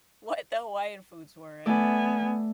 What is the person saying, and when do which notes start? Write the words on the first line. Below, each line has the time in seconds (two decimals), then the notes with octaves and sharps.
what the Hawaiian foods were, and,
1.66 A3 B3 D5 G#5